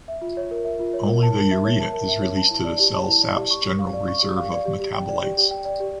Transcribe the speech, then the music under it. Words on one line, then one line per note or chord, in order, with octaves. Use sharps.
Only the urea is released to the cell sap’s general reserve of metabolites.
E5
F4
C#5
A#4
E5
F4
C#5
A#4
A5
A#4
E5
C#5
A5
A#4
E5
C#5
A5
E4
D5
G4
A5
E4
D5
G4
C#6
G4
F5
D5
C#6
G4
F5
D5
G4
G4
G5
D5
G4
G4
G5
D5
G4